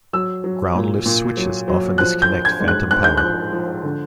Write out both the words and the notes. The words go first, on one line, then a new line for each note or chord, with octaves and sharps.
Ground lift switches often disconnect phantom power.
F#3 E6
F#3
A#2
A#2
F#3
F#3
F3 F#6
G6
F3
G#6
G#2
F#6
G#2 F#6
G6
F3 F#6
F3
D3